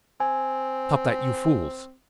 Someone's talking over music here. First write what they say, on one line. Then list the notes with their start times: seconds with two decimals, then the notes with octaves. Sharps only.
"Stop that, you fools!"
0.20 C4 G#5